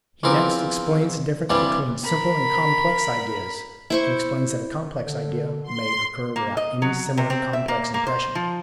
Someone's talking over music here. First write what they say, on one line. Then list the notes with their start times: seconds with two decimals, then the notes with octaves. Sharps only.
He next explains the difference between simple and complex ideas, and explains that a complex idea may occur without any similar complex impression.
0.23 E2 E3 F3 C4 A#4 D6
1.50 G2 C3 E3 G3 D4
2.03 A#4 B5
3.90 E4 C5 C#6
5.02 D3
5.64 C6
6.36 A#3
6.57 D#5
6.82 F#3
7.17 C3
7.30 C4
7.53 E5
7.68 A#3
7.94 A#3
8.07 C5
8.35 F3